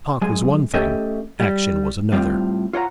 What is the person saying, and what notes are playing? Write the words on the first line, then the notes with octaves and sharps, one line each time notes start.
Talk was one thing, action was another.
F#2 G#3 G#4 G#5
A3 C#4 G4 A4 D#5 E5
G3
A2 G3 C4 F4
F4 C#5 F#5 A#5